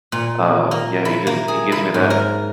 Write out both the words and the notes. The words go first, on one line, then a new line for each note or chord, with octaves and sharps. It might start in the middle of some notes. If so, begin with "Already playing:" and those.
uh, yeah, he just he gives me that
A#2
A#3
E4
A#3
G#4
E4
G#2
A#4